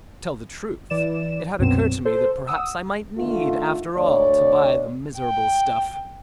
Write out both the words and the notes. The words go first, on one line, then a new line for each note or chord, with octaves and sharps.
To tell the truth, it had occurred to me that perhaps I might need after all to buy the miserable stuff.
E3 D5 E7
C2 F#2 B2 C4 E7
A4 C5
F#5 D#6 E6
D3 D#3 A3 F4
D2 C#5 D5
G5